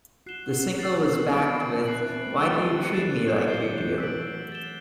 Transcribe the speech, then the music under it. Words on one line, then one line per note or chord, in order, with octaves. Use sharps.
The single was backed with Why Do You Treat Me Like You Do?
F#4 F#6 C7 E7 G7
A6 C7 F#7
B3
C4
D4
E4 D6 A6 D7
C4 F#6 C7 F#7
E4
C4
A3
G3 A6 D7 G7
A3
G3
F#6 A6 C7 E7
G3
F#3 D6 G6 C7 G7
F#3
E3
F#3
A3 E6 B6 D7 F#7
A6 E7 G7